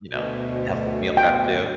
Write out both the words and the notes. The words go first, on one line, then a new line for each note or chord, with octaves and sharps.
you know, helps with meal prep, too.
D2 B2
G5